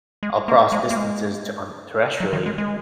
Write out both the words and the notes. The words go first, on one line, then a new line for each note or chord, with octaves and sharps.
across distances to an thresh really.
G#3
A#3
G#3
A#3
G#3
F#3
D#3
G#3
G#3